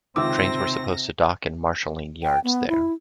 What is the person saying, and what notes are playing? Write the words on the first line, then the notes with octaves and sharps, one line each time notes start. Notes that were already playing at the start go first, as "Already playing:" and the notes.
Trains were supposed to dock in marshaling yards there.
C#2 C3 D#3 C4 E5 D6 E6 A#6
G5
B3
E4